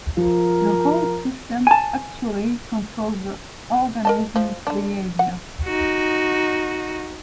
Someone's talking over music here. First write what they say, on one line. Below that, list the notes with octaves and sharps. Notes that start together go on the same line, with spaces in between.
The whole system actually controls the organism's behavior.
F3 A#4
G#5 A5
A#4 D#5 A5
F3
D3 D4
F#5
D#4 F#4